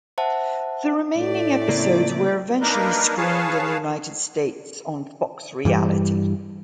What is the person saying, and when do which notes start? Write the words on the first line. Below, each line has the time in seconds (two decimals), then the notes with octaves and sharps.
The remaining episodes were eventually screened in the United States on Fox Reality.
0.18 C5 E5 F#5 A5
1.17 A2 A3 D5
1.69 C#3 A#3 C4
2.61 A#3 D4 D#4 A#4 B4
3.17 G#4 B4 C#5 F5 A5
5.65 G2 E3 G3